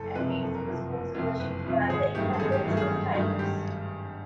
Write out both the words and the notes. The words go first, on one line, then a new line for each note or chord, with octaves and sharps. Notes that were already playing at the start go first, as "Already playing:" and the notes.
Ares was also worshipped by the inhabitants of Tylos.
Already playing: F#1 A4
F2 C3 F3 B4
A#4
F#1 A4
A#4
F2 C3 F3
F#1
F2 C3 F3
F#1 B4
F2 C3 F3
G#1 G#4
G2 D#3 F#3 A3 G4
A4
G#1 G#4
G4
G2 D#3 F#3 A3
G#4
G#1
G2 D#3 F#3 A3
G#1 G4